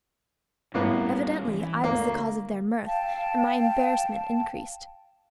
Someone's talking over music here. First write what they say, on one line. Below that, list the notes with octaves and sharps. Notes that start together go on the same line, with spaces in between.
Evidently I was the cause of their mirth, and my embarrassment increased.
A2 G3 A#3 B3 C#4
E3
D2 A#3
F5 G5 A5